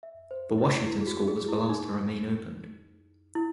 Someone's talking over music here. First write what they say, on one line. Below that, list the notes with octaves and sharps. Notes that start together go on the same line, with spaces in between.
The Washington School was the last to remain opened.
E5
C5
E4
E4
G#4
F#4
G#4
E4
D#4
E4